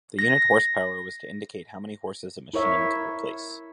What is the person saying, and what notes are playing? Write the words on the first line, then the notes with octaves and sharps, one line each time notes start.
The unit horsepower was to indicate how many horses a machine could replace.
A#6
E4 A#4 C#5 E5